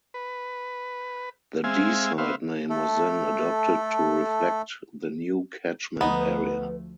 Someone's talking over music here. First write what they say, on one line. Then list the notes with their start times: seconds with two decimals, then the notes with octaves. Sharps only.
The Deeside name was then adopted to reflect the new catchment area.
0.14 B4
1.64 G#3 C4 E5 F5 G#5
2.18 B3 C5 E5 F5
2.70 A3 A4
6.01 D2 F3 A3 B3 D#4 B4